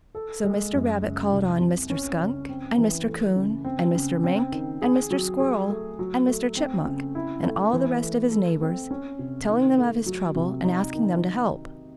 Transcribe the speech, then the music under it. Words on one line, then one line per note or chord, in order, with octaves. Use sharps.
So Mr. Rabbit called on Mr. Skunk and Mr. Coon and Mr. Mink and Mr. Squirrel and Mr. Chipmunk, and all the rest of his neighbors, telling them of his trouble and asking them to help.
A4
G#3
F#2
C#3
C2
C3
C#4
C#3
C4
E3
A3
C#3
C4
C#3
C4
D#3
G#4
F#3
G#4
A3
F#3
A3
C4
C#3
E4
A3
E3
A3
A4
C4
C#4
C3
D#3
A3
F#3
C3
D#4
D#3